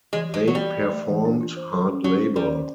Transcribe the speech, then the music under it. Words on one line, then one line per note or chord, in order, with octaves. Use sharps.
They performed hard labor.
E3 G#3
G#3 G4
E3 F#3
G3
G4
G4
A3
E3
D4
F4
C5
A4
C#4
F#3 C#4
C5
G3 C#4
C5